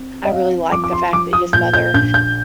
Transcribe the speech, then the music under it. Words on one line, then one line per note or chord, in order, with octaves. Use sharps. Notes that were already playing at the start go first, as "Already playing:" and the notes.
I really liked the fact that his mother
Already playing: C4
D#5
C4 F5
F3 D6
D6
C6
F3 D6
D#6
A#2 G6
G6
A#1 G6
G6